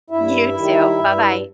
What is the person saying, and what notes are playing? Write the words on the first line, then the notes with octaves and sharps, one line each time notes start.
you too, bye-bye.
G2 E4 E5
D#3 G3
G2